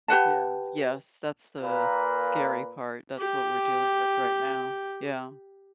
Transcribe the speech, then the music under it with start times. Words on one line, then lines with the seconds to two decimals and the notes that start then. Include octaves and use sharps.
Yeah. Yes, that's the scary part, that's what we're dealing with right now. Yeah.
0.08 G4 B4 F#5 A5
1.63 A#2 A#3 B4
3.18 G4 G5